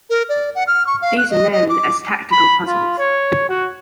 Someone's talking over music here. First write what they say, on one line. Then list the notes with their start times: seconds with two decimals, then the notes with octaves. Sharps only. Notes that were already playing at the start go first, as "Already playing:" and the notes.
These are known as tactical puzzles.
0.10 A#4
0.29 D5
0.55 F#5
0.67 F6
0.87 C#6
1.02 F5
1.18 F#6
1.30 D#5
1.52 D#5
1.69 D6
2.31 B5
2.67 F4
2.98 C#5
3.49 F#4